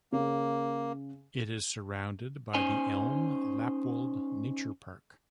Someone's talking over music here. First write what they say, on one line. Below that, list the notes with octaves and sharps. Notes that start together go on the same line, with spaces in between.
It is surrounded by the Elm-Lappwald Nature Park.
C#3 A#3
C#4 D#4 C5 G#5